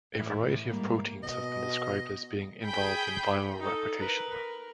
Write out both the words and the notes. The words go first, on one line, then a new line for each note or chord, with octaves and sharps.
A variety of proteins have been described as being involved in viral replication.
A2 E3 E4
G#2 G3 A#3
B2 D#5
G#4 G5 B5 G6
D#4 A4
A#4 B4
A#4